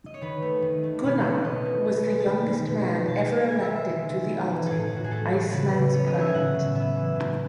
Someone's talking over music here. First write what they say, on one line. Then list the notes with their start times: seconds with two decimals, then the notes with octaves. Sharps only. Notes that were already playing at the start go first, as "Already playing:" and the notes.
Gunnar was the youngest man ever elected to the Althing, Iceland's Parliament.
0.06 D#5
0.14 C#5
0.21 D#3 B4
0.42 A3
0.62 D#3
0.83 A3
1.03 B2 B4
1.24 A3 C#5
1.44 B2 D#5
1.65 A3
1.85 B3
2.05 G#3
2.20 A5
2.26 D#3 B5
2.46 D#3
2.67 B2
2.87 A3
3.07 B2 A5
3.28 A3
3.48 B3 G#5
3.62 E5
3.69 G#3
3.76 E5
3.89 D#3
4.10 D#3
4.30 B3
4.50 E3
4.66 A2 G#4 A4
4.92 A2 F#4
5.04 G#4
5.11 A3 A4
5.32 F#3
5.52 C#3 B4
5.73 C#3
5.94 B3 C#5
6.07 D#5
6.13 F#3
6.21 E5
6.28 G#5
6.34 A2 F#5
6.55 A2
6.75 B3 E5
6.96 E3
7.16 A2